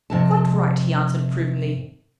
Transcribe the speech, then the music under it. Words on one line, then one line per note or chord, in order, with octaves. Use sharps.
'Quite right,' he answered, approvingly.
F2 C3 A5